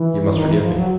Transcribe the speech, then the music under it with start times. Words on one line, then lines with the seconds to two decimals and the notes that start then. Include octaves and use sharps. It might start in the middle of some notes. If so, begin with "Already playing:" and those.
You must forgive me.
Already playing: E3
0.35 D#3
0.49 E3
0.63 F3
0.76 F#3